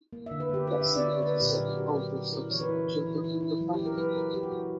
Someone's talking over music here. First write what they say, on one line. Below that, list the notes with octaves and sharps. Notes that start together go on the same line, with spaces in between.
Bessie was the second oldest of seven children in the family.
A#3
D3 E5
B4
A#3 G4
D3 B4
E5
D3
D5
D3 C#5
A#3 B4
A#2 G4
A#4
F#3
F#4
C#4 G4
F#3
F#3
E4 A#4
E3 C#5
B4
E4
E3
E3
E4
E4
F#3
G4
E4
A#4
F#3 B4
E4 A#4
F#3 G4
F#4
E4 G4